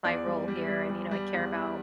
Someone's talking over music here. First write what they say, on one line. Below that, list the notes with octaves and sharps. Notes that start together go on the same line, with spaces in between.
my role here, and, you know, I care about,
E2 D5
G3
G3
G3
G3
G3
E2
E2